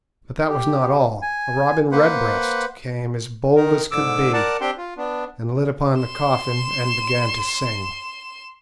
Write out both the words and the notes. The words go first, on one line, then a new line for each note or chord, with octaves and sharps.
But that was not all. A robin redbreast came as bold as could be and lit upon the coffin and began to sing.
G4
G#5
A#3 B4 C5 F#5
D#3 A#4
G#2 D3 D6 E6
A#4 D5 F#5 A5
C4 D4 G4 G5 C6
F4
B3 D4
C6 E7